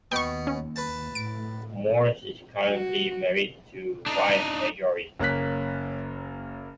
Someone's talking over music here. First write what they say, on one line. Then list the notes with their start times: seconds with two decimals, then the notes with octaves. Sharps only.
Moores is currently married to wife Marjorie.
0.12 D#2 B2 B3 G5 C#6
0.47 C#4
0.76 B4 A5
1.15 A2 D7
2.71 F#4
4.06 D4 D#4
5.20 F#1 A#3 C#4 F#6 B6